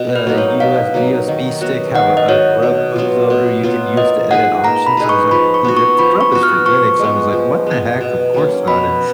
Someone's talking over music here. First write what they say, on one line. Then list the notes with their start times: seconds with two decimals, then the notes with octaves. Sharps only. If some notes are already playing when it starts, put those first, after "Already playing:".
uh, US USB stick have a a GRUB bootloader you can use to edit options?" I was like, "You know, GRUB is for Linux," I was like, "What the heck? Of course not," and
Already playing: B2
0.16 B4
0.27 F#3 A#3 D#4
0.38 C#5
0.60 B2 F5
0.94 F#3 A#3 D#4
1.28 D#3
1.61 F#3 B3 F#4
1.94 D#3 F#5
2.17 D#5
2.29 F#3 B3 F#4 C#5
2.62 B2
2.96 F#3 B3 F4
3.30 B2
3.63 F#3 B3 F4
3.97 A#3 D#5
4.31 D#4 G#4 B4 F#5
4.64 A#3 A#5
4.87 B5
4.97 D#4 G#4 B4
5.09 C#6
5.31 F3 B5
5.54 C#6
5.64 B3 F#4
5.77 C#6
5.99 F3 B5
6.21 C#6
6.32 B3 F#4
6.43 F6
6.65 F3 C#6
6.99 G#3 B3
7.33 F3
7.67 G#3 B3
8.01 B2
8.34 F#3 A#3 C#4
8.67 B2 B5